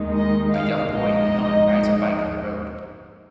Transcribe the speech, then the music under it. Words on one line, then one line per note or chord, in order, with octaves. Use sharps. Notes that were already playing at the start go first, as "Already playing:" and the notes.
A young boy in a helmet rides a bike on the road.
Already playing: D#2 D#3 G#3 D#4
D#5
F5
A#1 G#2 G#3 D#4 D#5